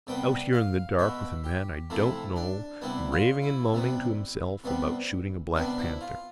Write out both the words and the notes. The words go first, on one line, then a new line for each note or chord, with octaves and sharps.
Out here in the dark with a man I don't know raving and moaning to himself about shooting a black panther.
C3 G3 B3 G5
F5
B2 B3 E5
G4
C3 F3 A3 E4
D4
C3 G3 B3 E4
F4
E4
C3 G3 B3
C3 G3 B3
C3 G3 B3 D4
E4
F4